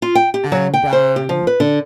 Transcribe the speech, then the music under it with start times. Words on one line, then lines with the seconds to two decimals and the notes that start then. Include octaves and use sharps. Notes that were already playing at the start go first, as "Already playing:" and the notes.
and, um
0.02 F4
0.15 G5
0.34 G4
0.52 F#3
0.74 G5
0.93 C5
1.16 G4
1.29 F3
1.47 B4
1.60 D3